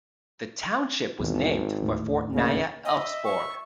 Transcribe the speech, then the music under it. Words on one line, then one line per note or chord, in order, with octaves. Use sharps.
The township was named for Fort Nya Elfsborg.
G#1 D#2 B2 E3
D1 D#2 A2
C#3 A#3
D#5 E5
C#6